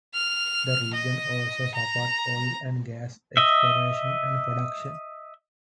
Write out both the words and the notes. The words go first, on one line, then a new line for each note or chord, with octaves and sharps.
The region also supports oil and gas exploration and production.
F6
D#5
A#5
D#5 E5